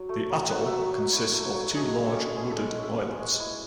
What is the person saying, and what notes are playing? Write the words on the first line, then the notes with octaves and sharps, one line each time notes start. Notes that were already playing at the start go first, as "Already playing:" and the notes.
The atoll consists of two large wooded islets.
Already playing: F#3
A3
F#3
A3 F#5
F#3 E5
E5
F#3
D#5
E4 C#5
A3
F#3
G#3 G#4
E4
A4
C#4
C#4 G#4
A4
G#3
C#4 E5
C#4 D#5
G#3
E4